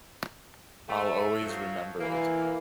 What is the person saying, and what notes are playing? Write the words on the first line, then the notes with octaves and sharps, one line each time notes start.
I'll always remember it.
A3
F3 F#3
E3 A#3